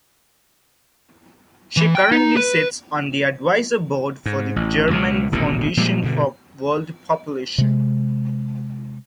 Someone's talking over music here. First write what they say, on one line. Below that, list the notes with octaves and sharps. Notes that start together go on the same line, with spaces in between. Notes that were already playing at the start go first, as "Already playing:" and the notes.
She currently sits on the Advisor Board for the German Foundation for World Population.
E3
G5
D#4
B4
G#2
A1
C#2 B2
D#1 A1 B2 D3
A#2 F3 G3 G#3
G2 B2 D3
C3 G#3